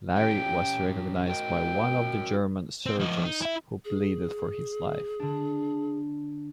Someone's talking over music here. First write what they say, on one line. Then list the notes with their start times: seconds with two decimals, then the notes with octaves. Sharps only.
Larrey was recognized by one of the German surgeons, who pleaded for his life.
0.16 C#4 G4 G5
1.28 F#4 A#4 D#5 G5
2.86 C4
3.00 F3 D#4
3.24 D#4
3.42 E4 E5
3.85 G#4
5.20 D3 D4